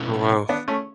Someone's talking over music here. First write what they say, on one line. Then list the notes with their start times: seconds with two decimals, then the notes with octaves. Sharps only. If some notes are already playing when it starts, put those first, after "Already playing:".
Oh, wow.
Already playing: B2 A3 C#4 E4
0.49 B3 D4
0.68 A3 C#4